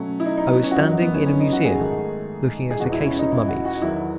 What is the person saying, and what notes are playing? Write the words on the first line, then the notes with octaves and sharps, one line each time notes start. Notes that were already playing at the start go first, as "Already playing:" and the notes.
I was standing in a museum looking at a case of mummies.
Already playing: B2 F#3 A3 C#4
E4
D#4
D#4
B3
C#4
F#4
F#2 D#3 F#3 E4
D#4
B3
C#4
C#4
D#4
F#4
G#4
G#2 D#3 A3
G#4
E2 B2 G#3 F#4
E4
C#4
D#4
E4
F#4
F#4
E2 D#3 F#3 E4